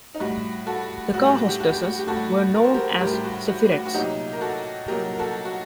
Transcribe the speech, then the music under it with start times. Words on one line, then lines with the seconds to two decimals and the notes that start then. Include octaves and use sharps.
The car hostesses were known as Zephyrettes.
0.15 D#4
0.20 A2 G3 F#4
0.67 F#4 A4
1.14 A2 G3 F#4
1.25 G4
1.37 F#4
1.49 G4
1.60 F#4
1.72 G4
1.84 F#4
1.99 G4
2.07 A2 G3 F#4 A4
2.54 A#4
2.64 C5
2.74 G4 A#4
3.01 A2 G3 G4 A#4
3.14 G4
3.24 F#4
3.48 F#4
3.71 F#4
3.86 F#4
3.94 C2 A#2 F#3 D#4 G4
4.33 A#4
4.41 F#4 A4
4.88 C2 A#2 F#3 G4 A#4
5.14 A#4
5.19 F#4 A4
5.45 F#4